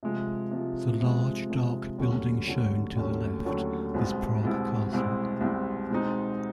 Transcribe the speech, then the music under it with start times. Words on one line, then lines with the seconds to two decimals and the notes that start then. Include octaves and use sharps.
The large, dark building shown to the left is Prague Castle.
0.03 C3 F3 G#3
0.51 C3 F3 G#3
1.01 C3 F3 G#3
1.50 C3 F3 G#3
1.98 D#2 D3 F#3 A3 C#4
2.48 D#2 D3 F#3 A3 C#4
2.97 D#2 D3 F#3 A3 C#4
3.45 D#2 D3 F#3 A3 C#4
3.94 C2 B2 G#3 C4 E4
4.43 C2 B2 G#3 C4 E4
4.93 C2 B2 G#3 C4 E4
5.41 C2 B2 G#3 C4 E4
5.90 B2 G#3 C4 D#4